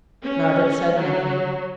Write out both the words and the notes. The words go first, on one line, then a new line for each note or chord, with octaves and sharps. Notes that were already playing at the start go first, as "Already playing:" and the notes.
Robert said nothing.
C#4
F#3